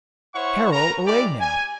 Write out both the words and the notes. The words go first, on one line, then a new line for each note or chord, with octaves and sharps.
"Carol away, now!"
E4 C5 C#5 F#5 C#6
A#4 B4 A#5
G#3 E4 G4 D5
G#5